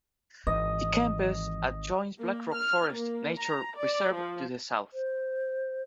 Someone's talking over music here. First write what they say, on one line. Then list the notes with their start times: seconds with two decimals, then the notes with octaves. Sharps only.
The campus adjoins Black Rock Forest nature preserve to the south.
0.47 G#1 E3 D#5
2.19 A#3
2.54 F6
2.91 A#3
3.40 A#5
3.75 D5
4.14 F3
4.93 C5